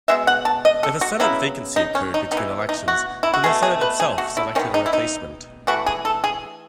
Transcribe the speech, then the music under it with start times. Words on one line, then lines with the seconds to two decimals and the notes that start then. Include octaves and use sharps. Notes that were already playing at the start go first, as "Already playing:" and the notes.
If a Senate vacancy occurred between elections, then the Senate itself selected a replacement.
0.08 B2 G#3 B3 E5
0.27 F#5
0.45 A5
0.65 D#5
0.83 A4
1.01 F#4
1.20 C#3 F#3 B3 E4
1.76 D#4
1.95 C#4
2.14 D#4
2.31 B3 D#4
2.37 E3
2.69 D#4
2.88 F#4
3.23 E4
3.34 F#4
3.44 B2 A3 G#4
3.63 G#4
3.81 B4
4.00 G#4
4.18 F#4
4.37 E4
4.55 D#3 G#3 B3 C#4
4.74 D#4
4.86 E4
4.93 D#4
5.67 E3 A3 F#4
5.86 G#4
6.05 A4
6.24 G#4